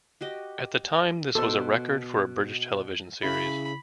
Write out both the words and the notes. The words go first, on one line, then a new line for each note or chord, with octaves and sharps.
At the time this was a record for a British television series.
F#4 G4 D#5
B2 A4 C5 C6
C#3 E4 B5